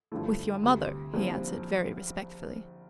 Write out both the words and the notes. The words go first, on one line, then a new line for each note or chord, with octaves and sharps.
"With your mother," he answered very respectfully.
G2 D3 F3 A3 E4
D2 C3 G3
A#1 A#2 G3 C4 E4